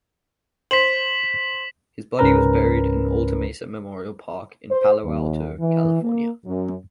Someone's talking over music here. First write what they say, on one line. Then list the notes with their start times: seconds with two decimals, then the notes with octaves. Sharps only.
His body was buried in Alta Mesa Memorial Park in Palo Alto, California.
0.71 C5 B6 E7 F#7
2.19 C#2 G#2 C#4 A#4 B4 A#5
4.71 C5
5.04 D#2
5.60 E3
6.02 A#3
6.46 F#2